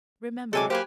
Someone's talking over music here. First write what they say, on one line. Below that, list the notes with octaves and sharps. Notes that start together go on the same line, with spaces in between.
Remember it.
C3 F#3 G#3 A4 G#5 D6
F#3 A#3 G4 B4 C5 G#5